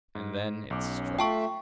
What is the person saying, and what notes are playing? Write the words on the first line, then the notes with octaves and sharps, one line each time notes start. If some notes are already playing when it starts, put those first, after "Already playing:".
And then--it struck!
G#2
B1 C#4 D6
A3 F4 E5 G5 A5 C#6